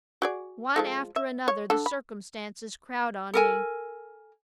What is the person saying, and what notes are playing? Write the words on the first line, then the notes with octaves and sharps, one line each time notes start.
One after another the circumstances crowd on me.
F#4 G#4 D5
F3 G#3 A4
E5
C#5
D3 A4
B5
A4 A#4 G#5